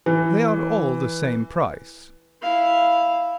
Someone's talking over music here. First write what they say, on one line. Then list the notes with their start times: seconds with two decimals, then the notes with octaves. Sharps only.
"They are all the same price."
0.06 E3
2.42 E4 F5